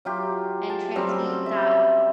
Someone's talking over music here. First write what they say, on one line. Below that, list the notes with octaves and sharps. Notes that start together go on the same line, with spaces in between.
and transmute that
F#3 F4 G4
A5
C#3 F#3 G3 C4
E5